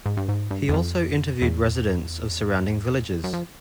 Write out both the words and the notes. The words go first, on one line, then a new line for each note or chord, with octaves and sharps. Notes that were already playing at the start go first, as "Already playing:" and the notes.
He also interviewed residents of surrounding villages.
G#2
G2
G#2
G2
E2
F2
E2
F#2
F2